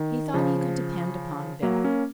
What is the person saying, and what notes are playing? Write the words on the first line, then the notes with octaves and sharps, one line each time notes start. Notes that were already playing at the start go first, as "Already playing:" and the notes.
He thought he could depend upon Beth.
Already playing: D#3
C#3 F3
F#3 A#3
A#3 C#4